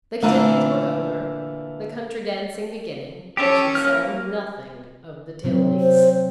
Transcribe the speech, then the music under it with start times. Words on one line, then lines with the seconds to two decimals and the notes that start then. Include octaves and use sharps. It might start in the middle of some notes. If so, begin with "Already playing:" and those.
The cotillions were over, the country-dancing beginning, and she saw nothing of the Tilneys.
0.23 A#2 D3 E3 A3 A#5
3.37 C#4 G4 A4
3.75 A#3 F6
5.44 C3 F#3 C4
5.80 C5